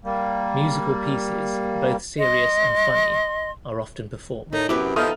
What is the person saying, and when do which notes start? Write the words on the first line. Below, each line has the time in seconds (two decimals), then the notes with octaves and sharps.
Musical pieces, both serious and funny, are often performed.
0.04 G3 A#3
2.19 D#5 C6
4.53 A2 D#3 A3 D#4
4.69 F#2 C3 B3 E4 G4 B4 D6
4.96 F3 B3 D#4 A4 E5 D#6 F6